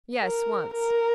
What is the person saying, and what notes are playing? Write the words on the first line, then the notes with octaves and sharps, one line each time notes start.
"Yes, once."
A#4
A#4